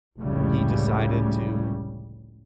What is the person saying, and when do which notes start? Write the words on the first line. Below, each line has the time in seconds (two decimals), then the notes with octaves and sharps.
he decided to
0.18 F1 C#2 A2 C#3 G3